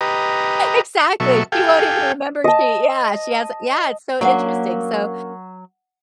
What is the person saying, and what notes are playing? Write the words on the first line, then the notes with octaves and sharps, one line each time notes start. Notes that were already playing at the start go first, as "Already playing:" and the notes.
Exactly, she won't even remember, she yeah, she has yeah, it's so interesting, so,
G4 B4 D#5 A#5
B2 F#3 A4 E5 C#6
G4 A4 F5 G5 G#5
D#5 A5
F#3 A#3 C#4 D4 F#5 G#5